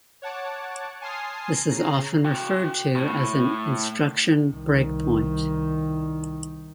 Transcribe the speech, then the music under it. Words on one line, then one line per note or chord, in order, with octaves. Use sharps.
This is often referred to as an "instruction breakpoint".
C#5 F#5 A5 D6
G#5 A5 C6 D#6 F6 C7
C#3 A#5 C7
F#4 G5
A2
C2 D#3